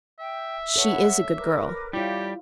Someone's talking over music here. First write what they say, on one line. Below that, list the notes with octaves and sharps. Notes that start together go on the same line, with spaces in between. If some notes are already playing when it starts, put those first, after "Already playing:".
"She is a good girl."
E5 G5
A4 B4 C#5 F#5
A#4 B4 D6
G3 E4 F4 G4 C#5